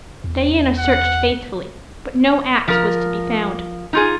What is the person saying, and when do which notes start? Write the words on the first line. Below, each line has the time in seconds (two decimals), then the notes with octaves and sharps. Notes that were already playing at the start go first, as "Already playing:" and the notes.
Diana searched faithfully but no axe was to be found.
0.24 E2
0.79 F#5
2.68 F3 A#4
3.93 D#4 F4 G#4